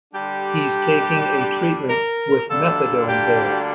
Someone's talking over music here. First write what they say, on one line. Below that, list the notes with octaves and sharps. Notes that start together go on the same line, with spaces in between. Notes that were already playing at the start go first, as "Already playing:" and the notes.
He’s taking a treatment with methadone there.
D3 G3 D4 G4
A#4
D2 D3 G3 A#3 D4 A4
G4